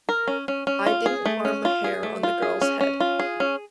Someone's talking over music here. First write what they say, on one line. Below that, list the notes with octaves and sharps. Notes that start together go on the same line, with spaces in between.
I didn't harm a hair on the girl's head.
A#4
C#4
C#4
C#4
F4
G#4
A3
C#4
F4
G#4
A3
F4
G#4
C#4
C#4
F4
G#4
C#4